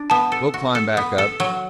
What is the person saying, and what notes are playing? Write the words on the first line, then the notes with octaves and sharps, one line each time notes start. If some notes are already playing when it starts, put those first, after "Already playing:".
We'll climb back up.
Already playing: D4
B3 A5
A4
F#4
A4
B3
A4
F#3